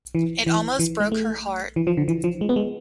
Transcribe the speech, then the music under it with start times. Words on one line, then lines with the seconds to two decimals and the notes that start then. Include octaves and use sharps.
It almost broke her heart.
0.15 E3
0.46 E3
0.79 E3
1.00 G#3
1.12 A3
1.76 E3
1.87 F3
1.97 D3
2.08 E3
2.24 F3
2.41 G#3
2.49 B3
2.56 G#3